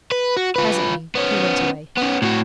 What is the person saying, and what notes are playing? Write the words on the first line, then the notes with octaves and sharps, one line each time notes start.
Presently he went away.
B4
F#4
F4 B4
B3 C#4
B3 C#4
A2 F#4